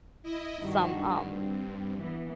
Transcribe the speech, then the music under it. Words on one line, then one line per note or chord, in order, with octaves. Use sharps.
some, um,
E4 D#5
G2 D#3 D4 F#4
G2 C4
E3 B3